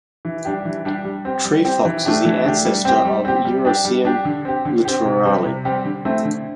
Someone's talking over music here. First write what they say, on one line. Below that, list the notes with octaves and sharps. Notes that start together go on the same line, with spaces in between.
Tree Fox is the ancestor of the Urocyon littorali.
E3
G3 D4 G4
E3
G3 D4 G4
G3
C4 G4
G3
C4 G4
E3
A3 D4 G4
E3
A3 D4 G4
G3
C4 G4
G3
C4 G4
G3
D4 G4
G3
D4 G4
D3
C4 G4
D3
C4 G4
C3
G3 C4 G4
C3
G3 C4 G4
D3
A3 C4 E4
D3